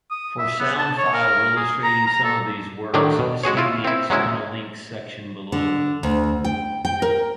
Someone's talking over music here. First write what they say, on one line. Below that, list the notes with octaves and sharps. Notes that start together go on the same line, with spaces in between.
For sound files illustrating some of these works, see the "External links" section below.
D#6
E5
B3
A5
C#5
A#4
G#4
A#5
A#5
A4
A2 D3 D#3 F#3 G3 D4
B2
G#3 F#4 G#4 C#5
E4 F4
C4 E4
F#3 G#3 C#4 E4
D3
D2
G5
G5
A#4